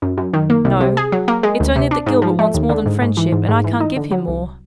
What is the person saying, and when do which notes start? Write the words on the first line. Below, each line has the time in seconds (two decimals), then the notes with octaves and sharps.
"No; it's only that Gilbert wants more than friendship and I can't give him more."
0.02 F#2
0.18 F#2
0.33 D#3
0.50 A#3
0.65 C2
0.81 C3
0.97 G#4
1.12 F#3
1.28 A#3
1.43 G#3
1.60 D2
1.76 C3
1.91 D4
2.06 G#2
2.22 F3
2.39 A3
2.54 D#2
2.69 D3
2.86 G#2
3.02 G#2
3.17 E3
3.32 G#2
3.48 G#2
3.64 E3
3.80 D#4
3.96 D3
4.11 F#3
4.28 C2